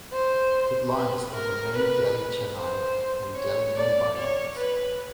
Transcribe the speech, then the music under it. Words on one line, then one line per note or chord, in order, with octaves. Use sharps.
It lies on the main Delhi-Chennai and Delhi-Mumbai lines.
C5
B4
A#4
B4
C5
C#5
D5
C#5
B4